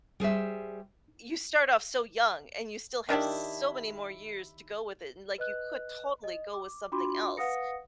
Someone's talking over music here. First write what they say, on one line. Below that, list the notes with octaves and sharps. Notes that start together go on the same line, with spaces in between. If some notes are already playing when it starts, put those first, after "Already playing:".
you start off so young, and you still have so many more years to go with it, and, like, you could totally go with something else.
G3 G#4 C5 E5
D#3 D4 E4 G4
B4 D#5 F#6
D#5
D6
D4 F4 F#4 B5 C6 D6
B4 F5 F#5 D#6 A#6 C#7